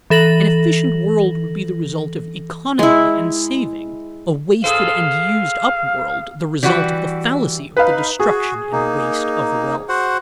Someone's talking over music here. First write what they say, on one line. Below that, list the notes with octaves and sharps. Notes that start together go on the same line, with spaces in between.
An efficient world would be the result of "economy" and saving; a wasted and used-up world, the result of the fallacy of the destruction and waste of wealth.
E3 A4 A#6 F#7
G#3 E4
G#4 A4 C5 F5
E3 G3 E4 F#4
D#4 B4 F5
F#4 G#4
A#3 D#4
F#4 C5 F#5